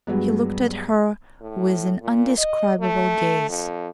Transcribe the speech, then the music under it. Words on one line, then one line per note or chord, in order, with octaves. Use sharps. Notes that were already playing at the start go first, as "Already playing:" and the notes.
He looked at her with an indescribable gaze.
G2 F#3 G#3 B3
A2
A#2
D#5
A3
F2